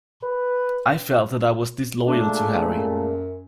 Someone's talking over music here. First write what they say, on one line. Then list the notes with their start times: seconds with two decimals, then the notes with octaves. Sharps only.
I felt that I was disloyal to Harry.
0.23 B4
2.08 A#2 G#3 A3 D4
2.72 F#2